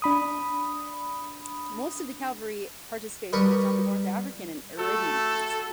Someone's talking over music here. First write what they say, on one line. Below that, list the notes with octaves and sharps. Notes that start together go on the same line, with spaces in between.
Most of the cavalry participation was on the North African and Arabian fronts.
D4 B5 D#6
G3 A#4 B4 C#6 D#6
A3 F#4 A4